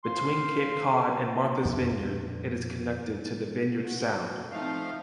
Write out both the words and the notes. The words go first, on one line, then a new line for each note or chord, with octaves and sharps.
Between Cape Cod and Martha's Vineyard it is connected to the Vineyard Sound.
C5 F5 C6
F2 A#2 D3 D4
F#4
F3 A3 C4 D#4 F5